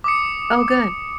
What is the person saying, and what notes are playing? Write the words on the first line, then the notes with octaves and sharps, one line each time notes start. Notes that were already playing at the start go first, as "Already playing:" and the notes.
Oh, good.
D6 D#6 C#7